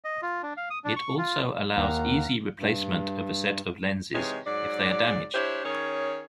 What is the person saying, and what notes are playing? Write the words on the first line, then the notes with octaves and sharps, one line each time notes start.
It also allows easy replacement of a set of lenses if they are damaged.
D#5
F4
D4
F5
D#6
D4
C#6
F4
D#2 A#3 F5 F#5 A#5
G2
C3 E3 G#3 D#4 C#5
G#2 F#3 D5
D4 E4 G4 C5 C#5
D#3 C#4 G#4 C#5